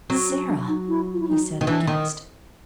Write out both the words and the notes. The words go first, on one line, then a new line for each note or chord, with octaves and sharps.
"Sara!" he said, aghast.
F#3 C4
C#4
D4
D#4
E4
F4
E4
D#4
D#3
E3 D4
D#3